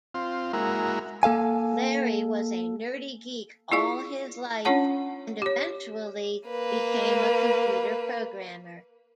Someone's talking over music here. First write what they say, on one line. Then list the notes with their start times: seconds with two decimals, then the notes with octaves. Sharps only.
Larry was a nerdy geek all his life and eventually became a computer programmer.
0.14 C4 F4
0.53 G#3 A#3 E4 F#4 A#4
1.23 A#3 A4 F5 G#5
3.72 E4 F4 G#4 D5 F5 C#6
4.65 C#4 D4 F4 C#5 F#5 A5
5.42 G4 C#5
6.49 A#3 B4